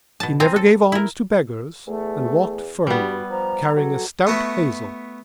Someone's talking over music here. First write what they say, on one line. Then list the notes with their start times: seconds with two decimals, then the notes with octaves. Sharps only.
He never gave alms to beggars and walked firmly, carrying a stout hazel.
0.20 B2 A5
0.40 C4 G#5 A#5
0.56 A4
0.92 E4 A#4
1.87 E2 A3
2.87 G2 G3 B3 F#4
3.30 F3 A#5
3.77 F#3 A4
4.27 A3 B3 F#4